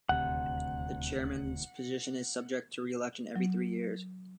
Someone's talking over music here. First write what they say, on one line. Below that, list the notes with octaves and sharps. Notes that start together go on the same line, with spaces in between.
The chairman's position is subject to re-election every three years.
D#1 D2 C3 F#5
F#3